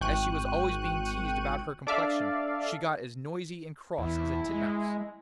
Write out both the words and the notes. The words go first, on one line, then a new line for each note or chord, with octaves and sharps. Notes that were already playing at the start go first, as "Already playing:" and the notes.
As she was always being teased about her complexion, she got as noisy and cross as a titmouse.
G#1 G5 C#6 F#6 D#7
D4 A4 D5 E5 F5
E2 E4
G#3